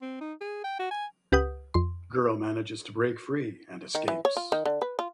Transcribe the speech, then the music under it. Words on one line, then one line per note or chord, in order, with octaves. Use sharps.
Girl manages to break free and escapes.
C4
D#4
G#4
G5
F#4
G#5
C#2 G4 B4 F#5 D#6 G6
F2 C6
D#3
E3
C#5
F4
D#3
D3
B4
F4